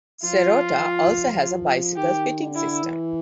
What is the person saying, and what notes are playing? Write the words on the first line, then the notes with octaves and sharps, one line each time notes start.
Serotta also has a bicycle-fitting system.
F3 F4
D#3 G4
D3
E4
E3